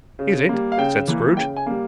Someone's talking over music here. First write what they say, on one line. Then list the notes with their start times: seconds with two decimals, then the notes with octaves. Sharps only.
'Is it?' said Scrooge.
0.19 C#3
0.49 G3 A#3
0.72 F5
0.78 C#3 G5
1.08 E3 A#3
1.37 C#3 G5
1.56 G#5
1.66 G3 A#3